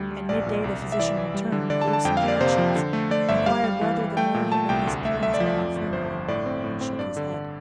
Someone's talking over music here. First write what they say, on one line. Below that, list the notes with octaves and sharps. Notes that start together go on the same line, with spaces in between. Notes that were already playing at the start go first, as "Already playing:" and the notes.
At mid-day the physician returned, gave some directions, inquired whether the mayor had made his appearance at the infirmary, and shook his head.
Already playing: D2 G3
G3
A#1 D5
A#2
C2
C2
E5
E3 D5
E3
G3
D3
D3 D5
A5
D3
A5
F2 G5
F5
A#3
D5
C3 C5
F3
D3
A3
A3 D5
G1 E5
G3 F5
G3
E3
E3
A3 G5
A#2
A3 A5
C2 G5
D2
A3 E5
A3 E5
D5
F3
D5
F2
G1
G1 C5
G1
A2 D5
C4
A2
C4
G2 D5
D3
D3